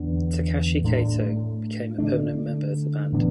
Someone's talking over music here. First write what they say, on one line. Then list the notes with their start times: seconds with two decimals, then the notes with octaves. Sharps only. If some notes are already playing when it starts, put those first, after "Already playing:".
Takashi Kato became a permanent member of the band.
Already playing: E2 D3 B3 D4
0.84 A2 A3 D4
1.98 D3 A3 D4
3.12 A2 E3 B3 D4